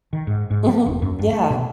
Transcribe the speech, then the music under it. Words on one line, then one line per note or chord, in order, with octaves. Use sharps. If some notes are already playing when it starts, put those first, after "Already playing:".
Mhm. Yeah.
D#3
G#2
G#2
F3
E1
F#2
G2
A3
B2